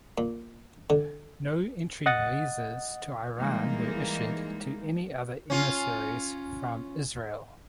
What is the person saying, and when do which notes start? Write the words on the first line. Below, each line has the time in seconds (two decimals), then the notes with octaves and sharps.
No entry visas to Iran were issued to any other emissaries from Israel.
0.18 A#2
0.90 D3
2.06 D#5 F#5 D#6 A6
3.38 E3 G3 G#3 A#3 D#4
5.50 C#4 F4